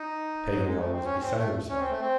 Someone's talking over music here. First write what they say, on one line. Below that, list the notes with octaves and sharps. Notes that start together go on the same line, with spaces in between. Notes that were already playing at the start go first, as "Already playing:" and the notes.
Paganel was beside himself.
Already playing: D#4
F#3
G#3
A3
C4
C#4
C4
A3
C#4
C4
A3
C4